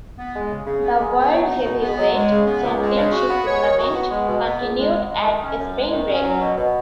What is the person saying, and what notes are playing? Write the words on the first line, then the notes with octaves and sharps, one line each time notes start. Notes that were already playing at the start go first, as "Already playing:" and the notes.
The World Heavyweight Championship tournament continued at Spring Break.
B3
G#3
C#3
C#3
B3
G#3
B3
F#3
D#4
B2
B3
F#3
G#3
C#3
B3
C#2
G#3
C#3
F#4
B3
C#5
D#3
F#4
B3
G#3
B2
B3
C#2
G#3
B2
G#3
D#3
C#4
F#2
G#3
D#3
C#4
F#3
B2
B2